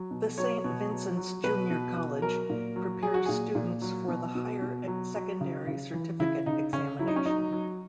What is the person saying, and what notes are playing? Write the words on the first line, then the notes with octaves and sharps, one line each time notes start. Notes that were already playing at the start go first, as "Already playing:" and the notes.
The Saint Vincent's Junior College prepares students for the Higher Secondary Certificate Examination.
Already playing: F#3
B2
F#3 C#5
B2
F#3
F#3
B2 B4
B2
B2
F#3 A#4
A#2
F#3
F#3 G#4
F#4
A#2 G#4
A#2
F#3
B2
B2
B2
F#3
F#3
C#3
C#3
E3
C#3 E4
C#3 D#4
C#3 C#4
F#3 E4
D#4
C#4
F#3 D#4
F#3